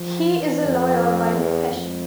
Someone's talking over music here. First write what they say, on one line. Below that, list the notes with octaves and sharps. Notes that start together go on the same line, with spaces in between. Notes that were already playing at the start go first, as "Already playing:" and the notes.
He is a lawyer by profession.
Already playing: F3
E3
F2
E2
F2